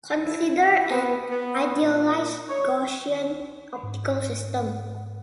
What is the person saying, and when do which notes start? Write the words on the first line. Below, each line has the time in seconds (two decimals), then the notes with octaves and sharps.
Consider an idealised Gaussian optical system.
0.25 E4
0.91 B3
1.30 B3
1.82 A#2
2.49 C#5
3.83 G#2